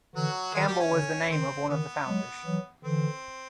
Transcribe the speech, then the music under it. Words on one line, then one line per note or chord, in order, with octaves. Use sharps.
Campbell was the name of one of the founders.
D3 E3 F#3 F#4
D#3 G#3 G#4
G3 G4
C#4
D3
D#3 C4
D#3 B3
F#3 G#3
E3 F#3
D3 E3 C4